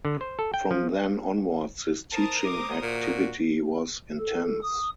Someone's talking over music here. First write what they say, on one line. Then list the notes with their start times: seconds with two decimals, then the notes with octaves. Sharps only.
From then onwards his teaching activity was intense.
0.05 D3
0.21 C5
0.39 A4
0.54 G5
0.71 F3
2.12 A#4 C5 A5 D#6
2.46 D6
2.82 A#2 F#4
4.19 A4
4.62 D#6